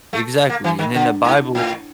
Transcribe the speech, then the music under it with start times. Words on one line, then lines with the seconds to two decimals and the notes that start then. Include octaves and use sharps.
Exactly, and in the bible
0.13 A3
0.49 A#3
0.64 E3
0.79 D#3
0.94 D3
1.24 G#2
1.55 A2